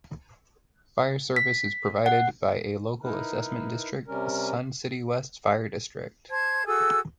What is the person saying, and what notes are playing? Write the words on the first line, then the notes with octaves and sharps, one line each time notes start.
Fire service is provided by a local assessment district, Sun City West Fire District.
B6
F#5
D#4 E4 A#4 B4
C3 G3 C#4 A#4
C5 A5 G#6
F#4 G#4 A4 E6